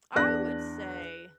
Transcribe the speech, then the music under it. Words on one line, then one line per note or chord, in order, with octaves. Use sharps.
I would say,
E2 D4 D5 F#6 A#6